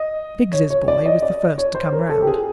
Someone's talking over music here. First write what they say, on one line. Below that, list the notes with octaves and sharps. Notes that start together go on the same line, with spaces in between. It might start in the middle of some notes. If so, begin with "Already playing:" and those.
Biggs's boy was the first to come round.
Already playing: D#5
C#5
C#5
D5
D#5
D5
C#5
C5
A#4
A4
G4
G#4